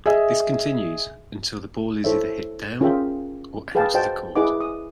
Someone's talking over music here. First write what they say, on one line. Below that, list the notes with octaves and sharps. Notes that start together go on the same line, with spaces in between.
This continues until the ball is either hit 'down' or out of the court.
G#4 D#5 E5
E4 A4 C5 C#5 E5
C#4 F4 G#4 A#4 E5 G5
G#4 B4 F5 G5 A5
F#4 C5 D#5 G5 A5
E4 G#4 B4 D#5 F#5 D6
D#6